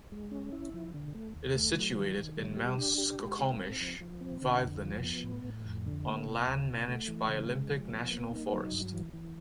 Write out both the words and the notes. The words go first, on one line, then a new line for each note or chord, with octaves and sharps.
It is situated in Mount Skokomish Wilderness on land managed by Olympic National Forest.
G#3
C#4
E4
F3
D3
A3
D#2
A3
F#3
D#3
D#3
G3
G4
D4
G4
G#3
C4
C4
F3
F3
C4
D3
F2
F3
B3
A2
A2
F2
D3
A#3
C3
D2
C3
A3
E3
C#3
G#3
F3
B3
A#3
D#4
F#3
G2
E3
E3